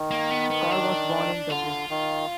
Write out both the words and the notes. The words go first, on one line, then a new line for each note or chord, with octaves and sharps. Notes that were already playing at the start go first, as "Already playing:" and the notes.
Carr was born in Dublin.
Already playing: D#3
A#3
B3
B3
D4
D3 F4
D#3